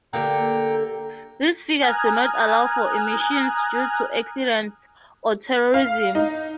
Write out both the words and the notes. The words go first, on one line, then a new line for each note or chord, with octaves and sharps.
These figures do not allow for emissions due to accidents or terrorism.
D3 A#3 G4 G5 A#5
G#5 A#5 D#6 F6 F#6 G#6
F5
D#4